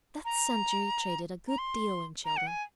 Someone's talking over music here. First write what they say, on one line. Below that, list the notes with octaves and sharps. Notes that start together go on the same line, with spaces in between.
That century traded a good deal in children.
A#5
A#5
C6
A#5
F#5
G#5